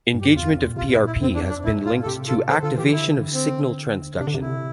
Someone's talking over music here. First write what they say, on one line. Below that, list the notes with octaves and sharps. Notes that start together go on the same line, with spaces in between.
Engagement of PrP has been linked to activation of signal transduction.
G2
G4
E2 F4
F2
A#2
C3 F4
A#2 E4
E4
F2 C4
D4
F2
D4
G2 E4
A2 F4
A4
C3 G4
F4 A4
D3 A4 C5
D3 F4 A4
E3 G4
D3 E4
C4
C3 D4
D3
C3
E4